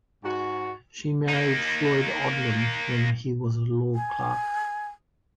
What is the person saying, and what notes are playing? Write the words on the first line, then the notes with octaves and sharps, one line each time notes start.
She married Floyd Odlum when he was a law clerk.
G#2 F#4
A#3 D#4
G#5